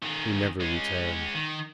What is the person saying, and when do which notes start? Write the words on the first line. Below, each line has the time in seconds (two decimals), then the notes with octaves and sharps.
He never returned.
0.02 D#3 C#4
0.60 G#3 C#4
1.34 D#3